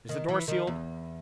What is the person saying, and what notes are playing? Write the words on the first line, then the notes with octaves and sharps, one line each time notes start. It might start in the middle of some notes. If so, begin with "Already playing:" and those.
Is the door sealed?
D#3
E3
D#3
E2